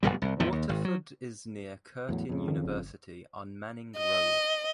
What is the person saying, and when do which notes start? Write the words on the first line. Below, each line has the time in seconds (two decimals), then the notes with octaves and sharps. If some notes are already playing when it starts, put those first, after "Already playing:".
Waterford is near Curtin University on Manning Road.
0.03 F1 C2 B2 G3
0.22 C2
0.40 E2 A2 F3
0.52 D#2
0.69 G#1
0.85 F#3
2.09 E2 A2 F#3
2.29 F2 C#3
2.48 D#3
2.64 G1
3.97 D#5